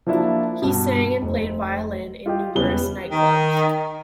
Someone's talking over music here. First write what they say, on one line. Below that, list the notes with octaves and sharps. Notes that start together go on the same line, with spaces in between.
He sang and played violin in numerous nightclubs.
F3 A#3 D4 E4 F#4
G2 B2
F1 C4
F4 G4 D#5 G5
E1 C#3 G3 B3 C#4 G7
D#3